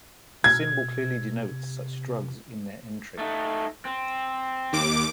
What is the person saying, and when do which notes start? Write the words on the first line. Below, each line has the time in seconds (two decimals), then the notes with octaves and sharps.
A symbol clearly denotes such drugs in their entry.
0.44 B2 G#6
1.51 C3
3.18 A3 D#4
3.85 C4
4.73 D#2 D6